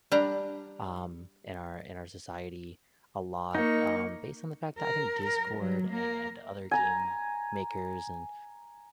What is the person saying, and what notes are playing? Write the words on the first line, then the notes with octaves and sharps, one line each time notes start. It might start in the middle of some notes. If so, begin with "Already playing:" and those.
um, in our in our society a lot, um, based on the fact that I think Discord, and other game makers, and,
G3 D4 A#5
A#3 D#4 C#6
A#4
A#4
F#3
A#3 A#4
G#5 A#5